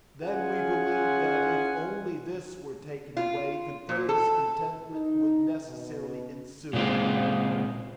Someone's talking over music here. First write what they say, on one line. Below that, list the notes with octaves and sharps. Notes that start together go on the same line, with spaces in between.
Then we believe that if only this were taken away, the greatest contentment would necessarily ensue.
C#4 F4 G#4 F#5 G#5
F4
A#2
A4
D#4
B2
A#2 C#3 G#3 C4 F4